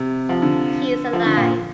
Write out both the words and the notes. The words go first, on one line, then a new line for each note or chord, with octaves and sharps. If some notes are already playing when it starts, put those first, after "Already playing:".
He is alive.
Already playing: C3
F3
D3
F3
D3
A#2